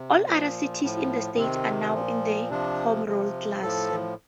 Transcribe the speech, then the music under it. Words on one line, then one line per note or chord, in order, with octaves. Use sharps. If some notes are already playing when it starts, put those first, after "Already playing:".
All other cities in the state are now in the home rule class.
Already playing: C3
A#2 F3
A2 F3
C3 D#3 C4
A#2 F3
C3 F3 D4
C3 F3
A2 F3 A4